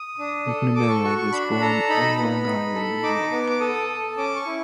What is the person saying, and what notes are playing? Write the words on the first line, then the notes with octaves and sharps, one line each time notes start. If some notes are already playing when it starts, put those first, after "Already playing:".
McNamara was born on Long Island, New York.
Already playing: D#6
D4
A4
A4 D6
C#6
F#4 C#6
C#6
D4 B5
A4 A#5
D#4 B5
B3
D#4
A4
D#4 D6
B3
D6
A4 D#6
A4
C#4 D6
C#6
E4